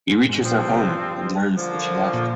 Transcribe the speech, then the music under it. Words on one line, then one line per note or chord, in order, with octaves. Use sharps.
He reaches her home, and learns that she left.
G#2
A#2
G#2
G2 A#2 F3 C4
C3
D3 F3 A#3
A#2